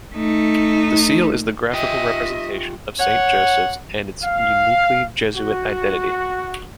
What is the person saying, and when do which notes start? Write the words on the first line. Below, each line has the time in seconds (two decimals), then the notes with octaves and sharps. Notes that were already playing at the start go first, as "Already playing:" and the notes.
The seal is the graphical representation of Saint Joseph's and its uniquely Jesuit identity.
0.14 A3 D#4
1.74 F4 G4 D#5 E5 G5
2.99 C#5 F#5
4.24 F5
5.35 F#4